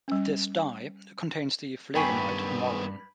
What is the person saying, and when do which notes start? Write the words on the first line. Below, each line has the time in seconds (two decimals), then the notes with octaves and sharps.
This dye contains the flavonoid morin.
0.08 G3 C#4
1.95 G2 D#3 B3 G5 G#5 B5 C#6 B6